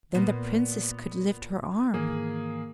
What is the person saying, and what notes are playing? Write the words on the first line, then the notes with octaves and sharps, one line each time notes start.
Then the Princess could lift her arm.
A#2 B3
G#2 D#3 E3 A#3 G#4